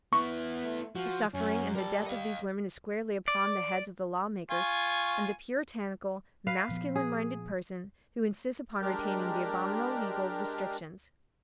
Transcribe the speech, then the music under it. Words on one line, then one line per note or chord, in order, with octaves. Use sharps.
The suffering and the death of these women is squarely upon the heads of the lawmakers and the puritanical, masculine-minded person who insist upon retaining the abominable legal restrictions.
B3 E4 C#6
A3
F3 F#4
F#2 C#4
G3 A#4 A5
D#5 F5
D5
F4 G#5 C#6
B4 F5
A#2 F3 B3
G#4
G#3 D4 G4 A#4